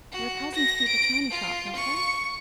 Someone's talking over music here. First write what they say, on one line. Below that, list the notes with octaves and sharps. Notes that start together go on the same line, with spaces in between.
Your cousins keep a china-shop, don't they?
F#4
A#6
D7
F4
C#6